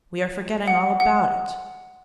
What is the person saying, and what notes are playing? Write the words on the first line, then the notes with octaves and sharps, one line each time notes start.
We are forgetting all about it.'
F#5
F#5